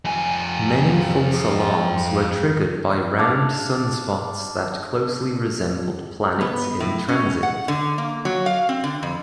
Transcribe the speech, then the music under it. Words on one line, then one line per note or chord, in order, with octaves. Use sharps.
Many false alarms were triggered by round sunspots that closely resembled planets in transit.
F2 G#5
D4 D5 F5
B3
A2
C#4
F#5
D3
A#3
F#3
F5
C4
D3
F2